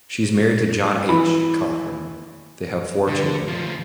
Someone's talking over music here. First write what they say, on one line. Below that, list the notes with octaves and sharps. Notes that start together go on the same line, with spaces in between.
She is married to John H. Cochrane; they have four children.
E3 B5
D3
D2 F3